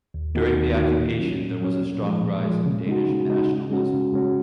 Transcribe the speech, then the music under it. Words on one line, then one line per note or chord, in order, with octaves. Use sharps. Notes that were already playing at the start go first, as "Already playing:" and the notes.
During the occupation there was a strong rise in Danish nationalism.
D#2
D#3 A#3 D#4 F#4
D#2
D#3 A#3 D#4 F#4
A#2
F#3 C#4
A#2
F#3 C#4
A#2
F3 G#3
A#2
F3 G#3
C#3
G#3 D#4 F#4
C#3
G#3 D#4 F#4
C#3
G#3 C#4 F#4
C#3
G#3 C#4 F#4